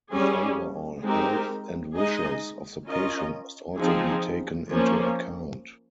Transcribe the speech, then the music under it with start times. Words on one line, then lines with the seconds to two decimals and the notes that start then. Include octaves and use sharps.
The overall health and wishes of the patient must also be taken into account.
0.13 G3 C#4 G#4
1.04 G#3 C4 D#4 G4 A#4
1.96 G#3 D#4 G#4 D#5
2.87 C#4 F4 A#4 D#5
3.78 F3 C4 D#4 G#4
4.71 F3 A#3 C#4